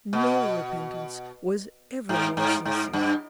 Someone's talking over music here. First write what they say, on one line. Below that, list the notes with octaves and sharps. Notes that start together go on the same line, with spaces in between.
No repentance was ever more sincere.
B2
G#2
G#2
G#2
G2